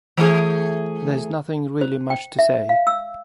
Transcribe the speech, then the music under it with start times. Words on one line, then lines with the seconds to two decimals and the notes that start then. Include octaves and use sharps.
There's nothing really much to say.
0.17 E3 A3 G#4
1.81 C5
2.10 G5
2.39 E5
2.69 F5
2.87 E6